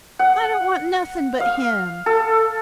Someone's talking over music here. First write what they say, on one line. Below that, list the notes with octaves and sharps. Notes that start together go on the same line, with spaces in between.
"I don't want nothing but him."
F#5
F5
A4